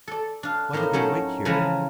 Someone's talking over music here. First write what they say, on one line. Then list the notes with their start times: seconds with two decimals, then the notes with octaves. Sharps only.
Why did they wait here?
0.08 A4 D5
0.43 D4 F5
0.73 A2 A#3 C4 D#4 C6
0.93 F#3 A3 C#4 D#4
1.45 C#3 E3 F3 G#3 B4 A#5